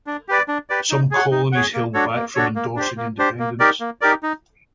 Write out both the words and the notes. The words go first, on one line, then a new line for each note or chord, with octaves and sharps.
Some colonies held back from endorsing independence.
D4
G4 B4 D5
D4
G4 B4 D5
D#4
G#4 C#5 F#5
D#4
G#4 C#5 F#5
A#3
D4 F#4 A4 C#5
A#3
D4 F#4 A4 C#5
A#3
D4 G4 C5
A#3
D4 G4 C5
A#3
D#4 G4 A#4 D5
A#3
D#4 G4 A#4 D5
D#4